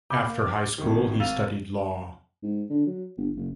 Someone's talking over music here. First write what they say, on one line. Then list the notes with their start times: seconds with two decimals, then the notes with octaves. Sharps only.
After high school he studied law.
0.10 B5 D6 G6
0.26 A#3
0.41 D6
0.78 G#1 D#3
1.20 G#1 F5 E6 A6 D#7 F7
2.43 G#2
2.70 D3
2.87 F#3
3.17 G1
3.36 F#1